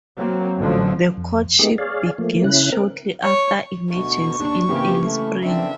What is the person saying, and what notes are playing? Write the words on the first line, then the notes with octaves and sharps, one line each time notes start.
The courtship begins shortly after emergence in early spring.
F#3 A#3 C4
A1 D3 F3 F#3
F2
G#3 A3 B3 D#4 G4 G#4
G#4 C#5 D5 F5
F3 A3 A#3
C#3 C#4 E4 F#6
C4 A#4
C#5
D2 B2 C#6
D#2 D4
C#3 E3 A#3 C4 G4
A3
D3 C4 D4 E5